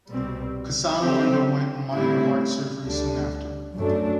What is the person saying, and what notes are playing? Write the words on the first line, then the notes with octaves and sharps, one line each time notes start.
Cassano underwent minor heart surgery soon after.
C2 B2 G3 C4
D3 F#3 C4 G4 C5
A2 G3 C4 E4
D2 D3 G3 D4
F#2 F#3 A3 D4